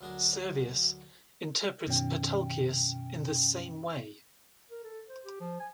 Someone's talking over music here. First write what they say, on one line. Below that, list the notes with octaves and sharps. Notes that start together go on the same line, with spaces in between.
Servius interprets Patulcius in the same way.
D2 F#3 D4 G#4 A#4
F#2 B2 D#3 F#3 C#4 G5
A#4
A4
C5
G4
F3
G#5